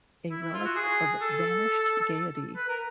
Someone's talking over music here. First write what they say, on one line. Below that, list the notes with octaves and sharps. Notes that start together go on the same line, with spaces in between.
A relic of vanished gaiety!
E4
E4
F4
F#4
G#4
A4
B4
A#4